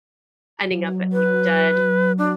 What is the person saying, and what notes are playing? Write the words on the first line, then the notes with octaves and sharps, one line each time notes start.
ending up at, like, a dud.
F#3
B4
D4